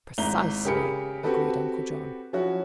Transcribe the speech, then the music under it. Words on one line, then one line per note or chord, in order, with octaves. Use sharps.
"Precisely," agreed Uncle John.
G#1 G#2 E4 A#5 G7
C#3 G4 G#4 A#4 B5 C#7
C4 F#4 G4 A4 B4
F3 F#3 C#4 E4 F#4